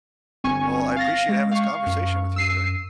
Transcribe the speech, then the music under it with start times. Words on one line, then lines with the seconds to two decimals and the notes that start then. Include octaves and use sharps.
Well, I appreciate having this conversation with you today.
0.44 G1 C4 G#5 C#6
0.96 F5 A6 A#6
1.29 G#3
1.51 F5 C#6
1.86 F#2
2.36 E6 C7 D#7